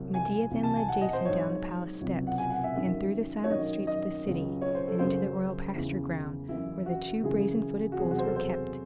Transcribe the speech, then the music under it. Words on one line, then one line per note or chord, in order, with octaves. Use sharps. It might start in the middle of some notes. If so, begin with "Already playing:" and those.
Medea then led Jason down the palace steps, and through the silent streets of the city, and into the royal pasture ground, where the two brazen-footed bulls were kept.
Already playing: C2 C3 F#3
G#5
C2 C3 E3
A5
G#5
F#5
D#5
C5
G#2 F#3 C#5
C#2 C3 F#3
F#5
G#5
F#5
E5
F#2 D#3 F#3
C#5
F#2 D#3 F#3 D#5
D#5
C#2 C#3 F#3
C#5
C5
A4
F#2 C#3 F#3 C5
E2 C#3 E3
F#2 E3 E4
F#4
F#2 C#3 E3 G#4
F#4
E2 C3 F#3 G#4
F#4
C5
A4
C5